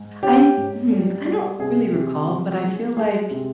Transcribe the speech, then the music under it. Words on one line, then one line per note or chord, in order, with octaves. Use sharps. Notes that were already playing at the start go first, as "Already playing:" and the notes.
I hmm, I don't really recall, but I feel like
Already playing: G#2
C#4 G4
G#2
G3
G3
C3 G#4
C3
F3
G#3
G#3 G#4
C3